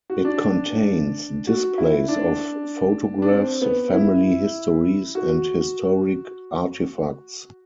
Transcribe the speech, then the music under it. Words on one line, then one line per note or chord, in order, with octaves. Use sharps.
It contains displays of photographs, family histories and historic artifacts.
F#4
D4
F#4
E4
D4
D4
C4
B3
E4
F#4